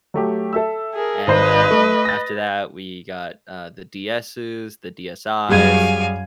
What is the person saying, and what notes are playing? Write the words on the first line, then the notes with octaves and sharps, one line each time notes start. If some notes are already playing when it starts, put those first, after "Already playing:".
And then, after that, we got, uh, the DS's, the DSIs,
F#3 A3 G4
A4 E5 E6
G#4 A#4
G#1 B4 C5 D#5 C7
A3
A6 A#6
F#2 G3 G#4 F5 G#5 G#6